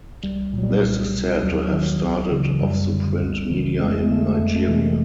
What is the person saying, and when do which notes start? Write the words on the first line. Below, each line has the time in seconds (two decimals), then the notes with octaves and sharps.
This is said to have started off the print media in Nigeria.
0.24 C2 G3
0.53 A#2
0.58 F#3
0.63 G3
0.83 C2
1.13 B2
1.42 D#2 F#3
1.68 D#3 F#3
2.02 C#2
2.31 C#3 E3
2.61 F#2 G3
2.90 D3
3.20 C#2
3.50 C#3 E3
3.79 F2 G#3
3.90 A3
4.01 G#3
4.09 D3 A3
4.23 G#3
4.34 F2 A3
4.45 G#3
4.56 A3
4.66 C3 E3 G#3